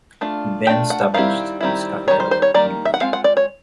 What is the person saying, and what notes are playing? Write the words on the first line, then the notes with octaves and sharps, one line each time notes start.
He then established his capital in Guge.
A3 D4 F4
A3 D4 F4 G5
F#5
D#3 G3 C4 E4 F5
D#3 G3 C4 E4
D#3 G3 A#3 C#5
C5
C5
C#5
D#3 G3 A#3 D5
E5
F#5
G#3 C4 F4 F5
F#5
D5
C#5